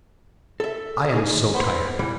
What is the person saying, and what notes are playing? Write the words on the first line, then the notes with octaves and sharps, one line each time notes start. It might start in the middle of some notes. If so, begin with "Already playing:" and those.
I am so tired.
A4 E5
D#4 G#4
D#2
B3 C5
A#2 E3 G3